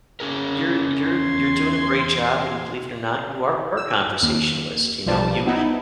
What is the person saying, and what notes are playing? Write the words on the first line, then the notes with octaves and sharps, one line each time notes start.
you're you're you're doing a great job, and believe it or not, you are a conversationalist, you know? You
C#4 G#4 A#4
E2 C6 G#6
E6
D#2
B1 F3 G3 A5
B3 D#4 E4